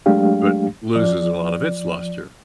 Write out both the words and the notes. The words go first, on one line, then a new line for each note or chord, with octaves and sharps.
but loses a lot of its luster.
F#3 G#3 A3 D4 G4 F5
F3 D5